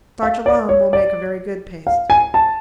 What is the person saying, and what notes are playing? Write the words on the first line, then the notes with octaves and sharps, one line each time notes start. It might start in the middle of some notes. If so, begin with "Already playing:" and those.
Starch alone will make a very good paste.
F5
D5
C#5
D5
F5
G#5
A5